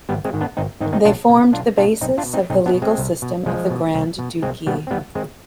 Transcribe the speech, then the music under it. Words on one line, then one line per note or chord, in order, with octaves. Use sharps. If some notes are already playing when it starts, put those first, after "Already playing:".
They formed the basis of the legal system of the Grand Duchy.
G#1 G3 B3
G#3 C4
G#2 D#3
B3 D4
G#1 C4 D#4
G#2 D#3 C4 D#4
C4 D#4
B1 D4 F4
B2
B1 D4 F4
B2 D4 F4
B1 C4 D#4
D4 F4
B2
C4 D#4
B1 C4 D#4
B3 D4
B2
G#3 C4
C2
B2
C2 F3 G#3
B2
C2
B2
C2 G#3 C4
B2 G3 B3
C4
D#2 G3 B3
D#3 G#3 C4